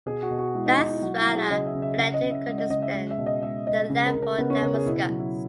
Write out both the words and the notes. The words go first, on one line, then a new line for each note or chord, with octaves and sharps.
Nasrallah fled to Kurdistan and then left for Damascus.
B2 G#4
F#4
B2
F#4
G#3 E4
D#4
B2 D#4
E4
F#3 F#4
E4
F#3
G#4
C#3 D#5
E5
C#3
E5
C#3 F#5
D#5
C#3
E5
G#3
D#5
C#3 D#5
E5
G#3
E5
B2
D#5
G#3 E5
G#3 D#5
C#3
A#4
C#3
A#4
C#3 B3
C#4
C#3 A#4
G#4
B2 E4
F#3
E4